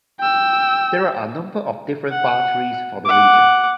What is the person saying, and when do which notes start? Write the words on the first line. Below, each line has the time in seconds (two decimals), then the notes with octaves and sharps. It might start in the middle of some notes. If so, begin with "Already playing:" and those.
There are a number of different boundaries for the region.
0.20 G5 E6
2.10 F#5
3.05 F#5 D6